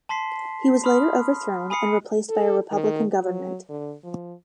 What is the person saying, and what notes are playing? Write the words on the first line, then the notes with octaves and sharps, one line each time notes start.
He was later overthrown and replaced by a republican government.
A5 C6 B6 C7
B5 C6 D#6 F6
G#5 B5 D#6 C7 C#7
A4
D#3
F#3
D3
F3